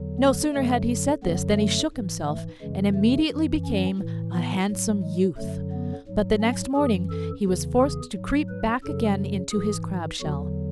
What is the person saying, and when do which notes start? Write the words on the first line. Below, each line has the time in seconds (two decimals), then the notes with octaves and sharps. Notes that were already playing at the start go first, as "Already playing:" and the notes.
No sooner had he said this than he shook himself, and immediately became a handsome youth, but the next morning he was forced to creep back again into his crab-shell.
Already playing: E2 D3 F#3
0.19 B3
0.53 F#2 D3 F#3 A3
1.23 F#2 D3 F#3 B3
1.57 A3
1.93 G#2 E3
2.26 A3
2.61 F#2 C#3 E3 G#3
2.95 A3
3.31 F#2 E3
3.65 C#4
3.99 A2 E3
4.33 B3
4.68 G#2 F#3
5.03 G#3
5.38 F#2 D3 F#3 A3
5.72 B3
6.07 G#2 F#3
6.41 C#4
6.75 F#2 E3 G#4
7.10 A4
7.45 E2 C#3 E3
7.79 G#4
8.14 G#2 F#3
8.49 B4
8.83 F#2 C#3 F#3 A4
9.52 G#2 E3 G#4
10.21 E2 D3 F#3 F#4